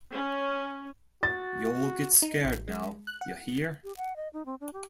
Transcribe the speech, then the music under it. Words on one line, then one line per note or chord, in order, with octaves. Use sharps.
Y'All Get Scared Now, Ya Hear!
C#4
F#4 A6
D#4
A1
G#3
F#6
F#5
G4
F#5
D#5
D#4
C4
D4
G4